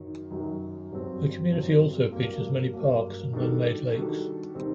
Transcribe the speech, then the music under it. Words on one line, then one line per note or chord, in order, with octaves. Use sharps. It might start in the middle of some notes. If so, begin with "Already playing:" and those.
The community also features many parks and man-made lakes.
Already playing: F#2 D#3 F#3
F#2 D#3 F#3
G2 F#3 C4
G2 F#3 C4
G2 F#3 A#3
G2 F#3 A#3
D#3 G3 D4 F#4 A4
D#3 G3 D4 F#4 A4
D#3 G3 C4